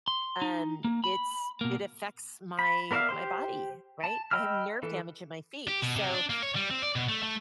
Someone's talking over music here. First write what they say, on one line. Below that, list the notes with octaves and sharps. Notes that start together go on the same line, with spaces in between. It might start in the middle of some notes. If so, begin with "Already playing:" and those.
um, it's it affects my, my body, right? I have nerve damage in my feet, so,
C6
D#4
A#3
B5
B2 A#3
B5
B3 A#4 D5 E5 F5
G4 C5 C6
A5
D#5 G5 B5 E6 F6
E3 A4
G4
B2
C3
D4
A#3
C#5
G3
C4
D5
B2
A3
A3